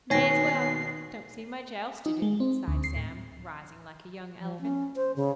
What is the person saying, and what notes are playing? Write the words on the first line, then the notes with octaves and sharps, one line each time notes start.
"May as well; don't see much else to do," sighed Sam, rising like a young elephant.
D#2 B2 C#5 G#5 A#6 C7
D#4
G#3
C4
D2
C7
A2
F3
C#4
C5
C#3